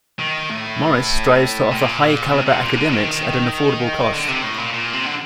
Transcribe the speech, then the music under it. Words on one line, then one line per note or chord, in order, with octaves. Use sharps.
Morris strives to offer high-caliber academics at an affordable cost.
D#3
A2
A#2
C3
C3
A#2
D3
D#3
D3
C3
A2
A#2
A#2
C3
D3